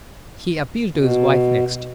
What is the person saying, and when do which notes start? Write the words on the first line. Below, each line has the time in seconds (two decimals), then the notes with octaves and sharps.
He appealed to his wife next.
0.95 B2